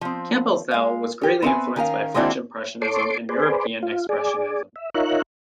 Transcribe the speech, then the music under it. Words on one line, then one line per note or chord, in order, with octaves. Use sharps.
Campbell’s style was greatly influenced by French Impressionism and European Expressionism.
F3 C4
G#3 F5
G4 C#5
B3 C4 B4 E5 G#5
D#3 C#4 A#4 F5
G#3 A#3 C4 D4 E4 F#4
A4 C#5 C6 D6
G#4 B4 C5 D5
F4
G#4 D5
E5
D#4 F4 A#4 C#5 E5 F#6